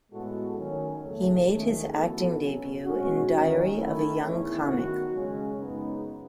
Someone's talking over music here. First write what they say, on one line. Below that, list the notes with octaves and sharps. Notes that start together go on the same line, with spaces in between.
He made his acting debut in "Diary of a Young Comic".
A2 G#3 B3 F#4 A4
D#3 F#3 A3 C#4
E2 C#3 F#3 A3
D#2 D#3 A3 C#4 G#4
E3 B3 F#4 A4
B2 F#3 C#4
B2 G#3 C#4 F#4
D#2 D#3 F#3 C#4
D#3 A3 E4
E2 D#3 A3 C#4 E4
D#3 F#3 B3 F#4
C#3 G#3 C#4
F#2 C#3 G#3 B3 D#4